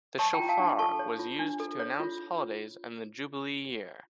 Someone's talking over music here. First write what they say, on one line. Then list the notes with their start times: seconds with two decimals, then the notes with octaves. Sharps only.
The shofar was used to announce holidays and the Jubilee year.
0.19 C#5 A5 C#6
0.34 G5 A#5
0.39 F4
0.49 F5 A5
0.59 D4
0.79 A4 A5 C#6
0.99 C#5
1.19 F4
1.39 D4
1.60 A4
1.80 C#5
2.00 F4